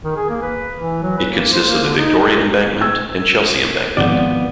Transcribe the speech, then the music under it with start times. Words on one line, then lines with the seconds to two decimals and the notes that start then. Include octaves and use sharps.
It consists of the Victoria Embankment and Chelsea Embankment.
0.04 D#3
0.16 G#4
0.30 A#3
0.42 B4
0.79 E3
1.03 F#3
1.17 B4
1.31 A#3
1.52 C5
1.67 A#3
1.84 D3
1.97 D#4
2.81 E6 G#6
3.97 G#1 F3 B3 D5